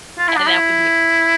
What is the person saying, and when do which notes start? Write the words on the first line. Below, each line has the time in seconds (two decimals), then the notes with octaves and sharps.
And that would be
0.19 F4
0.28 E4
0.36 D4
0.47 E4